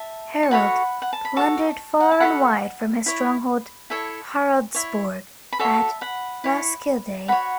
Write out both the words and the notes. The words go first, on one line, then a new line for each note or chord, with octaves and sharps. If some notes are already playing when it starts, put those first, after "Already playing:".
Harald plundered far and wide from his stronghold Haraldsborg at Roskilde.
Already playing: E5 A5
C#6
F#4 A4 C#5 F#5 B5
F#5
A5
B5
F#4 A4 C#5 A5 C#6
F#5
A5
F#4 A4 C#5 F#5 B5
E4 C#5
E4 A4 C#5
E4 C#5
B5
F#4 A4 C#5 E5 A5
F#5 B5
E4 C#5
F#4 C#5 F#5 B5